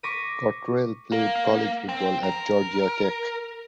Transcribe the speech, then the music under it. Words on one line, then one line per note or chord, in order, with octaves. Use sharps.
Cottrell played college football at Georgia Tech.
C#6 D6 A#6 B6 D#7
A#3
C4
A#4